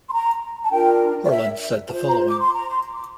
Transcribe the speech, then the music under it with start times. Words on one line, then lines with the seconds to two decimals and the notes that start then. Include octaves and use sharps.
Harlan said the following.
0.09 C6
0.13 A#5
0.63 A5
0.71 D4 F4 A#4 G5
1.24 D5
1.30 E5
1.88 F4 A5
1.92 C5
2.07 A#5
2.27 D6
2.40 C6
2.54 A#5
2.68 C6
2.94 D6